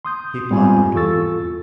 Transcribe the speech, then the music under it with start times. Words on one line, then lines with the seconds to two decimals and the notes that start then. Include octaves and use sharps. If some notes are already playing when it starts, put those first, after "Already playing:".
He pondered.
0.05 C6 D#6 G6
0.50 G#2 G3 B3 C4 F4 G#5
0.95 E2 F4 A4 C#6 E6 A6